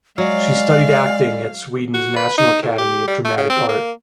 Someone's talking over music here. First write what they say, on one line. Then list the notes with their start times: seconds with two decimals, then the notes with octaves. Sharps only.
She studied acting at Sweden's National Academy of Dramatic Art.
0.18 F#3 G#3 D5 F5
1.94 F#4
2.16 B4
2.38 D#4
2.63 A2
2.78 G4
3.07 G3
3.25 A3
3.37 C#3
3.50 C4
3.69 A#3